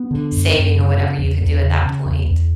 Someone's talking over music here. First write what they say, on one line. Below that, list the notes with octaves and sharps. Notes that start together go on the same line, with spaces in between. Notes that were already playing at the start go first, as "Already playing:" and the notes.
saving or whatever you can do at that point.
Already playing: B3
D3
F#2
F#2
C#3
C#3
E2
E2
C#3
C#3
E2
E2